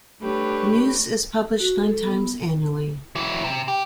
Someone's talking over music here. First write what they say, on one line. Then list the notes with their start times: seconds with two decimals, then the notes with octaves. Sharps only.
"Muse" is published nine times annually.
0.21 G3 A3 D4 G4 B4 C#5
1.60 F#4
1.82 A4
2.04 B3
3.15 E3 F#3
3.44 C3
3.68 G4